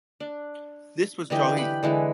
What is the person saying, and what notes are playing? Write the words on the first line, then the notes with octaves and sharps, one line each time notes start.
This was Zhaoyi.
D4
D3 E3 G4 D#5
G4 B4 B5
D3 E3 G#3